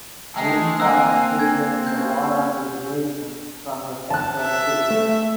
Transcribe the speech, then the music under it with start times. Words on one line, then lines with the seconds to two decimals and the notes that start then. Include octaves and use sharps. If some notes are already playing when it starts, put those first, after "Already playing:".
Alim participated in the war of liberation from the sector six.
0.37 G#3 A3
0.80 A#3 C4 G#5 E6 F#6
1.39 G#6
1.87 C#4 G6
4.10 A5 F#6
4.42 E5
4.91 A3